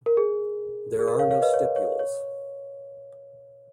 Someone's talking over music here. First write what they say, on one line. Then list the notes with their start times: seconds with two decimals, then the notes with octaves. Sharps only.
There are no stipules.
0.06 A#4
0.17 G#4
0.99 G#4
1.08 A#4
1.19 C#5 F5
1.31 C#5 F5
1.42 B4 D#5
1.54 C#5
1.76 C#5
1.99 C#5